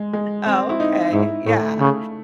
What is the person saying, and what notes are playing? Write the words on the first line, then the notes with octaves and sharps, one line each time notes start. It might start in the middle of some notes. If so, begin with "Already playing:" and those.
Oh, okay. Yeah,
Already playing: G#3
G#3
C4
E4
D#4
G#2 E4
A2 A3
C#3